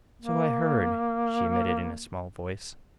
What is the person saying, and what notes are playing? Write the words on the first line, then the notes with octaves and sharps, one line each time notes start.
"So I heard," she admitted in a small voice.
A#3